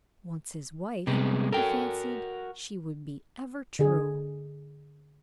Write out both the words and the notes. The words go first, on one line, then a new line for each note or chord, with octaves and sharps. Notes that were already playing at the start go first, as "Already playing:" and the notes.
Once his wife, he fancied she would be ever true.
C3 G3 G#3 B3
F#4 A4 A#4 G5
D3 G#4